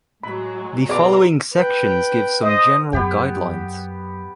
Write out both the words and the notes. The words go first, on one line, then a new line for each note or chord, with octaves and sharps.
The following sections give some general guidelines.
A2 F#3 G#3 B5
C#2 B2 G#3 D5 A#5 C6 D6
B4 G5
C5 D#5 D#6
F#2 B3 G4 G5